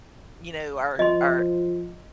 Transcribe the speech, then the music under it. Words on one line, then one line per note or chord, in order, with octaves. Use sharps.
you know, our our,
F3 D#5 C6